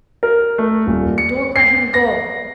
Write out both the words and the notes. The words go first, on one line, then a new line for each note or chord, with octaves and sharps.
"Don't let him go."
A#4
A3
D#1
C#7
C7
A#6